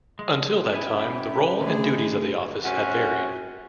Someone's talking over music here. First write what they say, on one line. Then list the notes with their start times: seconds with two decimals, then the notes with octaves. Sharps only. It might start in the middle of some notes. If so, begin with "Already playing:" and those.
Until that time, the role and duties of the office had varied.
0.19 G#3
0.72 B3 C#4 E4 E5 G5 G#5 B5
1.61 D3 D#3 A3 G#4
2.63 F#2 C3 C#4 F#4